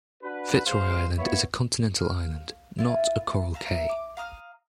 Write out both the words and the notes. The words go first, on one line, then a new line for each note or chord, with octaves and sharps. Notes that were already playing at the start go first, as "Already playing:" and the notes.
Fitzroy Island is a continental island, not a coral cay.
D4 F#4 B4
E2 G#3 C5 F5
A#3 B3 E4 C#5
F5
E4 F4 B4
E5 F5 A#5
D6
F5 A#5 D#6 F6